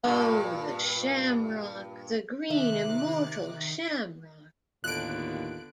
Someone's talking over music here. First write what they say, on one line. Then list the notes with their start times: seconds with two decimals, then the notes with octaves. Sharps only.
Oh the Shamrock, the green immortal Shamrock!
0.04 G2 A#2
2.50 C3 D#3 E5 D6 F#6
4.84 D#2 A2 D3 B3 F4 F#6 D7